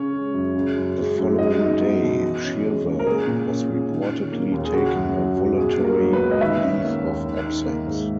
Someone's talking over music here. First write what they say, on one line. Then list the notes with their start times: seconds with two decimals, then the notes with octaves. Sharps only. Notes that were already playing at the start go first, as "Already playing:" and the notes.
The following day, Shirvell was reportedly taking a voluntary leave of absence.
Already playing: C#3 C#4 C#5
0.12 G#3
0.34 F#2
0.55 C#3
0.75 F#2
0.97 G#3
1.18 F#2
1.38 G#3 D#5
1.59 D#4
1.80 B3
2.02 B2
2.22 E3
2.44 C#4
2.63 G#3
2.85 C#3
2.99 A#4
3.06 A#3 G#4
3.27 A#2
3.48 C#4
3.69 A#2
3.90 D#3
4.11 C#4
4.32 A#3
4.52 D#2
4.64 G#4
4.73 C#3 F#4
4.94 F#2
5.15 F#3
5.36 F#2
5.57 B2 G#4
5.78 A#3
5.84 A#4
5.99 F#3
6.13 B4
6.21 C#2
6.31 D#5
6.41 D#3 E5
6.62 C#4
6.83 A#3
7.04 D#2
7.25 D#3
7.46 D#4
7.66 A#3
7.87 G#2